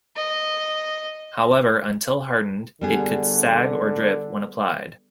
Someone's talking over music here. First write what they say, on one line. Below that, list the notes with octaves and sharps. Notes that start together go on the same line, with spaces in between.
However, until hardened, it could sag or drip when applied.
D#5
D3 G3 B3 G#4